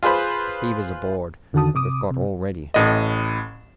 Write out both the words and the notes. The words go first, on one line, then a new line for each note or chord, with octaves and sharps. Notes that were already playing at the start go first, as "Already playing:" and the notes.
The fever's aboard, and we've got all ready.
F4 G#4 B4 C5 B5
E2 D3 D#3 F#4 A5 D#6
C3 D6 D#6
C3
A1 A2 D#5